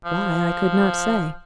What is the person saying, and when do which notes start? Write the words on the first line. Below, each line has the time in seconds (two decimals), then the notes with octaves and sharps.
Why, I could not say.
0.05 F3